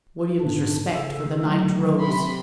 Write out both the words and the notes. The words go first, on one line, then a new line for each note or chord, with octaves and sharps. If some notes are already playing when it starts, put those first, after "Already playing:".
William's respect for the knight rose.
G#2 D3 D4
C#3 A4
D3 F#3 A3
C3 B5 C6